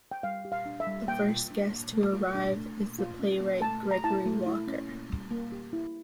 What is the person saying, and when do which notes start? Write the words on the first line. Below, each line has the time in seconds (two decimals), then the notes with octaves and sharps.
The first guest to arrive is the playwright Gregory Walker.
0.11 G5
0.23 G3 F5
0.45 G4
0.52 F5
0.66 D4
0.80 E5
0.87 G3
1.08 A#3 G5
1.29 F4
1.51 D4
1.72 A#3
1.93 A3
2.13 F4
2.35 D4
2.56 A3
2.77 A#3
2.99 F4
3.19 C#4
3.40 A#3
3.62 A3 A5
3.83 G4
3.91 A#5
4.04 E4 A5
4.25 A3
4.47 E4
4.67 C#4
4.89 A#3
5.10 G3
5.31 A#3
5.52 G4
5.73 E4